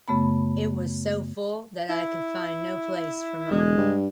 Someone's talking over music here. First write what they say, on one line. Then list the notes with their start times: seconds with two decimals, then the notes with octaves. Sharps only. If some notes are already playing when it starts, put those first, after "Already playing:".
It was so full that I could find no place for mine.
0.08 F#2 C#3 A3 B3 B5
1.90 E4
3.51 E1 G#3
3.77 G2